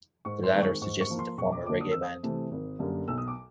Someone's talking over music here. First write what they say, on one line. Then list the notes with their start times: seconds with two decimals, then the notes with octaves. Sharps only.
The latter suggested to form a reggae-band.
0.25 G#2 C#6
0.43 C6
0.53 D#3 G#3 C4
0.62 C#6
0.81 G#2 C#6
1.01 C#6
1.10 F3 A#3
1.19 C6
1.37 E1 C#6
1.52 D6
1.66 D#2 D3 D6
1.81 D#6
1.91 F2 E6
2.02 D#6
2.23 C3 E3 A3 C4
2.51 G#1
2.79 F#2 D3 G3 A#3
3.08 B1 E6
3.18 D#6
3.28 D6